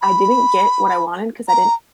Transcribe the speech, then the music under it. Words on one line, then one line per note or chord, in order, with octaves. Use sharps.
I didn't get what I wanted 'cause I didn't
B5
A#5